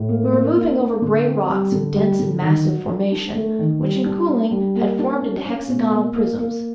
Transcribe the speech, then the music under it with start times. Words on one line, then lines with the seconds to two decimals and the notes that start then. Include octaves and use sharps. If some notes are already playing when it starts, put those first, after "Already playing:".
We were moving over grey rocks of dense and massive formation, which in cooling had formed into hexagonal prisms.
Already playing: A2
0.09 A#3
0.33 A#3
0.56 A#3
0.79 D4
1.02 D3
1.26 C4
1.49 G3
1.72 D3
1.96 G3
2.19 D3
2.42 D#3
2.65 F#3
2.89 D4
3.12 D4
3.35 A3
3.59 D#3
3.82 G3
4.05 D4
4.29 D4
4.51 G3
4.76 A#3
4.99 D4
5.22 C#4
5.45 C#4
5.68 B2
5.91 A#3
6.15 A#3
6.38 A#3